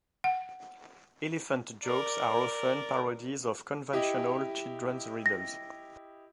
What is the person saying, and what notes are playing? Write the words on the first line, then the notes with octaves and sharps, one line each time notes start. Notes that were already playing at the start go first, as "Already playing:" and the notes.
Elephant jokes are often parodies of conventional children's riddles.
F#5
A#4 D5
E4 G4 D#5
A#6